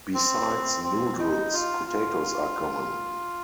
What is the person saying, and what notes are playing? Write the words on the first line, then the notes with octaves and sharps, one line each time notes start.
Besides noodles, potatoes are common.
C4
C4
D#4
F4
F4